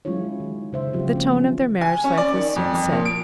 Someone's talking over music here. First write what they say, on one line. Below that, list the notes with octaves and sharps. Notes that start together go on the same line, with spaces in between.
The tone of their marriage life was soon set.
F#3 G#3 C#4 E4 F4 C#5
D#3
C#3 C5 E5
C#3 F3 F#3 C4 F4 G4
A#3 C#4
G#5
C#4
D5
D#3
F2
F2
A#2
D7